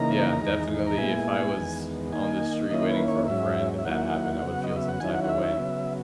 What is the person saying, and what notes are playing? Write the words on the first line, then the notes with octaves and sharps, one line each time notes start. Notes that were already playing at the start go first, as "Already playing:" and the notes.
yeah, definitely if I was on the street waiting for a friend and that happened, I would feel some type of way.
Already playing: C#3 E3 A#3 D#4 A#5
E2 D#3 G#3 D#4
A#5
A#2 G#3 B3 E4 G#5
E2 D#3 G#3 B3
D#3 A#3 D#4 G#5
D#3 A#3 C#4 E4 D#5
B4
C#5
G#2 F#3 C#4 E5
E5
D#3 F#3 A#3 E4 F#5
C#3 F#3 B3
D#5
E5
F#5
D#3 F#3 C#4 E4 G#5
F#5
F#5
E5
E5
C#3 F#3 B3